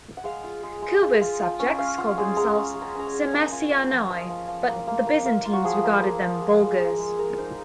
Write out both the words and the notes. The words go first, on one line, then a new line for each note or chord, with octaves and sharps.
Kuber's subjects called themselves "Sermesianoi", but the Byzantines regarded them "Bulgars".
F#5
G#3 F5
F4
G#3
G#3
F4
F4
F4
C#4
C#4 F5
F4 F#5
G#3 G#5
G#3 A#5
C#4
G#3
A#5
C#4 A#5
G#5
G#3
A#3 A#5
F4 G#5
F4 F#5
F3 F5
F3 D#5
F3
F3
A#3
A#3
A#3
A#3
F4
F#4
F3 G#4
A#3
A#3
F3
G#3
G#3
G#3
G#3
G#3 A#4
D#4 C5